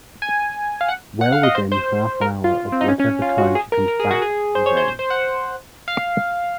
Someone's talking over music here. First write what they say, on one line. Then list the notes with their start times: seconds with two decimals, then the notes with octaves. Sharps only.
Well, within half an hour of whatever time she comes back, then.
0.22 G#5
0.81 F5
0.89 F#5
1.21 F#5
1.32 F5
1.43 D#5
1.55 C5
1.72 C5
2.21 A#4
2.44 F4
2.72 C4
2.81 D#4
2.88 C#4
3.00 C#4
3.22 F4
3.38 F#4
3.55 G#4
3.72 A#4
3.88 A#4
3.99 G#4
4.11 F#4
4.22 G#4
4.55 C5
4.66 C#5
4.77 C5
4.88 C5
4.99 C5
5.10 F#5
5.88 F5